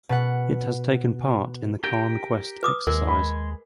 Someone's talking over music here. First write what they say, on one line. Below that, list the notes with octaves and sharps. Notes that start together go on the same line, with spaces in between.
It has taken part in the Khaan Quest exercise.
B2 B4 F#5
G4 A#4 G5
B4 D6 D#6
D#2 G#3 A#4
B5